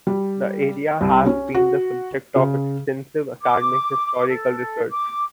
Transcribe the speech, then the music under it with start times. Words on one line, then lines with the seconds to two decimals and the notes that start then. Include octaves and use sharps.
The area has been the subject of extensive academic historical research.
0.07 G3
1.01 C2
1.26 C#4
1.55 F#4
2.36 C#3
3.41 D6
4.28 A4
4.90 D6